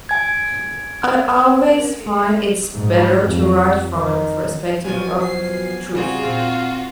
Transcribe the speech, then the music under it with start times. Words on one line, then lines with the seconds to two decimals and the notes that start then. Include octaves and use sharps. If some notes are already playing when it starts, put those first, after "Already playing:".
I always find it's better to write from a perspective of truth.
0.09 G#5 G#6
2.72 G#2
3.22 F2
3.94 D#3
4.84 E2 F3 F#3 B3 F#4 G#5
5.21 G#5 C7
5.95 C#3 G3 C4 F4 F#4 G#4
6.23 A#2 C4 F5